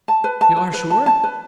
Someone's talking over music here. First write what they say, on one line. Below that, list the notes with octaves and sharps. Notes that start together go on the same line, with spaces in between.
"You are sure?"
A5
B4
A5
B4
B4
A5
A5
B4